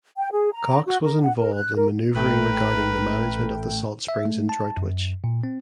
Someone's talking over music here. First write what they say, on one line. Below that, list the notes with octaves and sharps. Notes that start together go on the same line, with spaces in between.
Cocks was involved in manoeuvring regarding the management of the salt springs in Droitwich.
G5
G#4
A#5
F#4
A#4
F#5
A#4
F#6
A#4
A1 A3 A#4 B4 G5
E5
A3
A5
F#2
A#2
C4